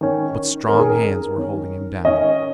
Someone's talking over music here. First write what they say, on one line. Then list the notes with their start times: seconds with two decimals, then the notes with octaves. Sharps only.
But strong hands were holding him down.
0.01 D#3 C#4
0.68 D#3 C#4 A#4
0.79 G#4
0.89 A#4
1.36 D#3 C#4
2.04 D#3 C#4 D#5